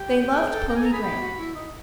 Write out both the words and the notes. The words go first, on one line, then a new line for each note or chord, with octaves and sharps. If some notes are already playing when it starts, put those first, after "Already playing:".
They loved pony Grant.
Already playing: G4 G5
G#4
A4
A#4 G5
A4 G#5
A#5
G#4 B5
G4 B5
F#4
E4
D#4